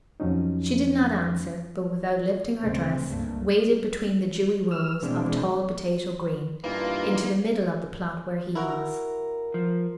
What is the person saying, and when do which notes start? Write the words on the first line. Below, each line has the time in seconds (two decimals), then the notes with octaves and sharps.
She did not answer, but, without lifting her dress, waded between the dewy rows of tall potato-green into the middle of the plot where he was.
0.20 F2 F3 F#3 C#4 D#4
2.59 D2 G2 C#3 A3 C4
3.06 C#2 G2 A3 A#3
4.71 E6 F6
5.03 B2 E3 G#3 C4 D4
6.64 G2 E3 A#3 D#4 F4
8.55 E4 F#4 A#4
9.54 F3